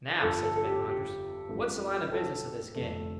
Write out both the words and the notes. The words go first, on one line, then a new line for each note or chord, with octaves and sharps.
"Now," says Ben Rogers, "what's the line of business of this Gang?"
G1 G2 D3 F3 A4
A4
A4
G4
G4
A1 G2 F3 A3
A4
F1 F2 D3 A3 A4